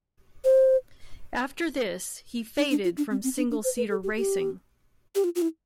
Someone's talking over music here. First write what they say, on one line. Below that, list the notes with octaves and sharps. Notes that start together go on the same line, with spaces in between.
After this he faded from single-seater racing.
C5
D4
D4
F4
D4
C4
C4
D4
D4
C5
B4
A4
G4
G4
G4
F4
F4
E4